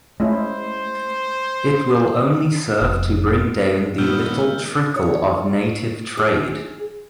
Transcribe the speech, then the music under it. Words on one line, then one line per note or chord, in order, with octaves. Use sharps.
It will only serve to bring down the little trickle of native trade.
G#3 A3 C#4 E4 C5
F1
D#2 A#2 G#3 B3 E6 F6 G6
C#5
G#4